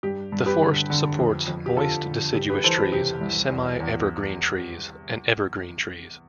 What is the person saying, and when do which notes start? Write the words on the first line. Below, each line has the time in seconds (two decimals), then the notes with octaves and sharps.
The forest supports moist deciduous trees, semi-evergreen trees, and evergreen trees.
0.03 G2 G4
0.32 G2
0.46 G4 B4
0.61 D3
0.90 D3
1.19 F2
1.48 F2
1.66 G4
1.76 D3 F4 A4
2.05 D3
2.35 C2 G4
2.49 G4 B4
2.64 E3 A4 C5
2.78 G4 B4
2.92 C3 G4
3.21 C2
3.51 E2
3.80 E2